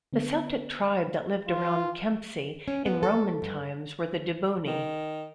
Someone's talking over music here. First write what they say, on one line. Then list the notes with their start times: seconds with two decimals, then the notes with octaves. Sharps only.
The Celtic tribe that lived around Kempsey in Roman times were the Dobunni.
0.13 D3 B3
1.48 F4
2.68 C#4
2.86 B3
3.03 A4
3.42 G2
4.67 D#3